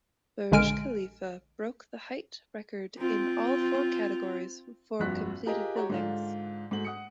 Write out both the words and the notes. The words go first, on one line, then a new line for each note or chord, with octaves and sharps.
Burj Khalifa broke the height record in all four categories for completed buildings.
A#1 D3 G#3 G#5 F6 D7
C4 F4
F1 A#1 G2 F#4 F#6 B6
F4 G4 G#4 A#4 D#5
F#4 G4 C#5 A#5
G#2 D3 D4 F4
G#2 A3 F#4 F#7
F#5 D#6 C#7